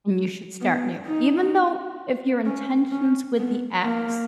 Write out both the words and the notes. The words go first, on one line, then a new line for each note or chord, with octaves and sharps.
and you should start new. Even though, if your intentions with the ex
B3
D#4
C#4
C#4
B3
A#3